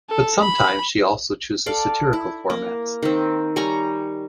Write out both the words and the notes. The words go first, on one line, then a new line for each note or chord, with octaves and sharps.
But sometimes she also chooses satirical formats.
A4
B5
A4 D5 F5
E4
A#3 A#4
D#3 C4
G3 C#5 G#5 A#5